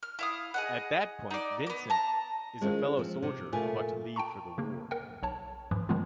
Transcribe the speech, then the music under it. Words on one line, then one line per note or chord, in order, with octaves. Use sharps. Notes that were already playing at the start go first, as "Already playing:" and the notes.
At that point Vincent is a fellow soldier about to leave for the war.
F6
E4 F5 D#6
G#4 D#5 F#5
D#4 D5
A#3 B3
A5 A#5
D#3 G#3 C4 C#4 F4
F3 C4
C3
A#2 A3 F4 A#4 G#5
G5 A5 A#5 C#6
C#3 A#3
A#4 F#5 G5
B1 C#5 A5
G#2 E3 F3
D#3 F3 G#3 B3 F4